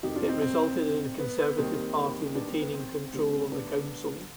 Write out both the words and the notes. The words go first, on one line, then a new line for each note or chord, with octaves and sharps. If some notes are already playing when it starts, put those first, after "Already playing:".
It resulted in the Conservative Party retaining control of the council.
F1 F2 D#3 G3 D#4 G4
D4 F4
C4 D#4
C4
B3
B3
D#2 D#3 G3 C4
B3 D4
C4
B3
C4
D2 D3 G3 C4
C4
B3 D4